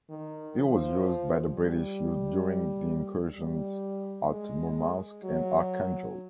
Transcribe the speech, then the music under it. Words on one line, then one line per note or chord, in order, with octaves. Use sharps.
It was used by the British during the incursions at Murmansk and Archangel.
D#3
F3
G3
G3
G#3
F#3